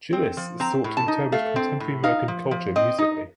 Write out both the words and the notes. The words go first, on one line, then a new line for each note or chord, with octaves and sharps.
Gillis sought to interpret contemporary American culture musically.
C4
F3
C4 A#5
A2
A5
D#4
A3 F5
C4
A2
D#4 F5
F3
F3
C4 D#5
D#4